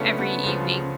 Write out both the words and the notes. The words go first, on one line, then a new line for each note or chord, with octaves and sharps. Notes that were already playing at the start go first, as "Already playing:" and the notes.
every evening.
Already playing: C#2 C#3 F3 A3 B3 C#4 D4
B3
C#2 C#3 F3